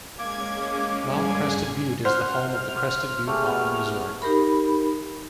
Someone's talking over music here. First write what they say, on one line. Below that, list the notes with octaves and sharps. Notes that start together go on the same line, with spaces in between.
Mount Crested Butte is the home of the Crested Butte Mountain Resort.
G#3 A#3 C#4 D6 G#6
G2 G#4 G#6
C5 F#5 C6 F6
A3 G4 G#4
B3
D#4 G4 A#4 B5